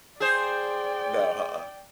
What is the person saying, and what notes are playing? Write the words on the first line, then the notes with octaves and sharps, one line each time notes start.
No, uh-uh,
G#4 C5 D5 G5